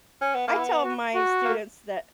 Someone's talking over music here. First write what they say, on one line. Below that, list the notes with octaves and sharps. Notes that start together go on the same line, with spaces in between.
I tell my students that
C#4
B3
A#3
E4
B3
F#4
F#4
A#3